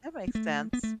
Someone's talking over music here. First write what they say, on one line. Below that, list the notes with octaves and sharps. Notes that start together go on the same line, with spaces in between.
That makes sense.
B3
A3
B3
A3